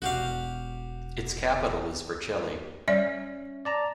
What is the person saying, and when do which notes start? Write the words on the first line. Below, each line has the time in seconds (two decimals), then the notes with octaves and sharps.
Its capital is Vercelli.
0.02 E1 F#4 G4 F5
2.88 G3 C#4 D5 E5
3.65 D5 A5 A#5